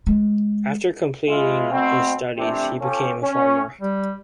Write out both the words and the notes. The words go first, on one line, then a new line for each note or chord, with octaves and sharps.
After completing his studies he became a farmer.
G#3
G#3 E4 F4
B2 A3 C4
C3 E3 A3 C4 D4
C#4 F4 G4 A4
C#4
G3